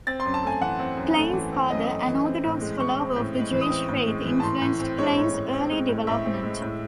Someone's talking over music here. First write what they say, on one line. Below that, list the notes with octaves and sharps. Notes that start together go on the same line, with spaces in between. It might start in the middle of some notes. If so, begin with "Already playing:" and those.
Klein's father, an Orthodox follower of the Jewish faith, influenced Klein's early development.
C4 A6
C6
F#2
A5
A3 G#5
E3 F#5
C4
F#2
A3
E3
C4
F#2 D#5
A3
E3
C4
A2
G#3
E3 C#6
C4
A2
G#3
E3
D#6
C4
A2
G#3
E3
A5
A2 C6
A2
C4
G#3 C#5
A2
A2
C4
G#3
A2
A2 E5
C4
G#3
A2